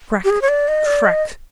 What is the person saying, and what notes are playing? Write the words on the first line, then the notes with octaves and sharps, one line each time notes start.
Crack! Crack!
G4
G#4
C#5
D5
D#5
D5
D#5